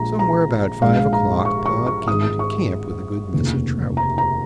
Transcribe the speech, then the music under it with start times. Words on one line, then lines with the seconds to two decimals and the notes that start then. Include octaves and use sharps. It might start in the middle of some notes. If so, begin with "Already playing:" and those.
Somewhere about five o'clock Pod came into camp with a good mess of trout.
Already playing: A#1 A#2 G#3 A#5
0.19 A#5
0.82 A#1 G#2 G#3 F5
1.13 A#5
1.45 C#6
1.66 C#6
1.86 C#6
2.08 G#1 G#2 G#3 D#6
2.39 C#6
3.33 F1 D#2 C#3
3.97 A#5
4.18 A#5